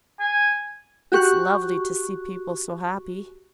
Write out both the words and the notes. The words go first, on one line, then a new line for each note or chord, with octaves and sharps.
It's lovely to see people so happy.
G#5
F#4 G4 C#6 F#6